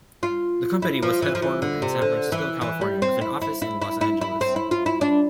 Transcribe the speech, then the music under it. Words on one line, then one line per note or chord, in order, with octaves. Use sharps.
The company was headquartered in San Francisco, California, with an office in Los Angeles.
F4
E4
F3
E3
F3
E3
D3
C3
D3
E3
E3
G3
C4
E4
E4
E4
E4
E4
E4
C4
E4
F4
E4
D4